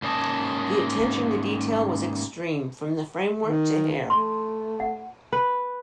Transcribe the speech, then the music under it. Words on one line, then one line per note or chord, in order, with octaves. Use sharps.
The attention to detail was extreme, from the framework to hair.
G#2 A#3 C#4 D#5 G#5 A5
D#3
A3 C6
F#5
B4